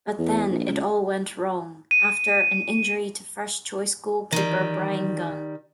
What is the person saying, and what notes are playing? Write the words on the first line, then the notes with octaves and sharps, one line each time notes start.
But then it all went wrong, after an injury to first-choice goalkeeper Bryan Gunn.
E2
A#1
C#2
D#7
D#3 E3 G3